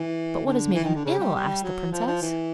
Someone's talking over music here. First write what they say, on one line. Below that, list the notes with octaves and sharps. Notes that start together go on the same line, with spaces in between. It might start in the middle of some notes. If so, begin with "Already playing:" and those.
'But what has made him ill?' asked the princess.
Already playing: E3
D3
E3
D#3
D3
C#3
G3
G3
F#3
F3
F3
E3